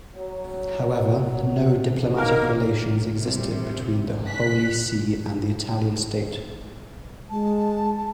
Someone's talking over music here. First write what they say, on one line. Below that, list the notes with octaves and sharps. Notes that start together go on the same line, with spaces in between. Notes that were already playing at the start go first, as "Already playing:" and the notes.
However, no diplomatic relations existed between the Holy See and the Italian state.
F#3
A#3 D#4 A#4
C3 G3
F#6 B6
G#3 A5